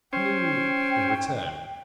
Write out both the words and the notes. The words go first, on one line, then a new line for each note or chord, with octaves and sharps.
Halloo!' in return.
C#4 C5 G5